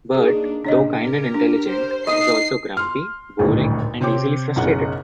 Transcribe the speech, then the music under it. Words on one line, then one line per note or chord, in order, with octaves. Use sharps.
Bert, though kind and intelligent, is also grumpy, boring, and easily frustrated.
A#3 D4 D#4 G#4
A#2 C#3 A#3 D4 C#5 D#5
G4 A#4
D4
C5
D#4 D#5 D#6 C7
C6 F6
D#1 G#1 D2 A2
C3 C4 C#5 G5 D6
F#1 B1 C#3 F#5